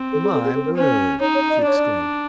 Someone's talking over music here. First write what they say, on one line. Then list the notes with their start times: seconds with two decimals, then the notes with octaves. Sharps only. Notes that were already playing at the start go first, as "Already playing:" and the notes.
'My word!' she exclaimed.
Already playing: C4
0.12 A4
0.23 G#4
0.34 A4
0.44 G#4
0.55 A4
0.65 A#4
0.77 C#4 C5
1.20 D#4 C#5
1.35 C#5
1.49 D#5
1.59 D5
1.63 D4 C#5
1.77 D5